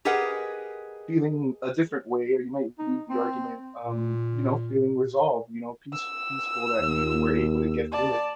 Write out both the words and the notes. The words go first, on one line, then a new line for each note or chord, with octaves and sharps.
feeling a different way, or you might leave the argument, um, you know, feeling resolved, you know, peace peaceful that you were able to get through it.
G4 G#4 A#4 B4 D#5 F#5
D#4
C4
A#2
E6
D#2
D5 A5